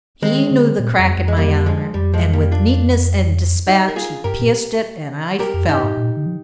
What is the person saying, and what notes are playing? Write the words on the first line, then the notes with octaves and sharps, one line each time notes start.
He knew the crack in my armor, and with neatness and despatch he pierced it, and I fell.
D#3 G#3 C4
D3
A#2
F2
F2
G#3
G3 A#3
F3 G#3
F2 G3
F3 G#3
G3 A#3
D4 F4
D#4 G4
A#4
F4 G#4
G2 G4 A#4
A#2
G4 A#4
F2
G2 D#4 G4
G#2
A#2
D3
F3